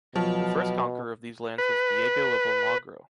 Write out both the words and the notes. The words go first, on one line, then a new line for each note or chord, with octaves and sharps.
The first conqueror of these lands was Diego of Almagro.
B2 F3 F#3
B4